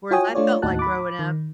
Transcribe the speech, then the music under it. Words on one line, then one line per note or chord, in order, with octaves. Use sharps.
Whereas I felt like growing up,
F4 F#4 C#5 G5 G#5 D#6
A3 D4 F4 C#5 D5
D#2 A2 D#4 F#4 A5 F#6
B5 D6
D#3